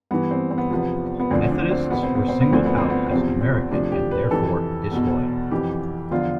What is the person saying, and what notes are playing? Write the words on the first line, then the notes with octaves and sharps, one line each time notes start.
Methodists were singled out as American and therefore disloyal.
G2 E3 B3
C4
C4
B3
E2 C3 F3 B3
B3
D2 D3 F3 C4
D4
C4
E2 B2 B3
C4
B3
C4
B3
D2 D3 F3 C4
B3
C4
B3
B3
E2 C3 F3 C4
C4
D2 C3 F3 D4
G4
B4
F2 C3 E3 A4
E2 B2
F2 E3 G4
E2 D3 F3 F4